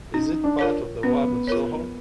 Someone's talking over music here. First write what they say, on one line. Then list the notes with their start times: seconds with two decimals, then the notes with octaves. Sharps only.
It is part of the ward of Soho.
0.14 C#4 D#4
0.44 D4
0.59 F4 A#4 C#5
1.03 B3 C#4
1.47 F4 A#4 C#5